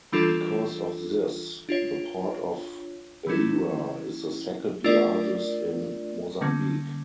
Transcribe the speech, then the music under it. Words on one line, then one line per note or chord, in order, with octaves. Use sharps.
Because of this, the port of Beira is the second largest in Mozambique.
E3 G3 D4 F4 A4
D4 F4 C#5
E3 G3 C#4 E4
A3 D4 F4 A#4 D5
D3 G3 A#3 C#4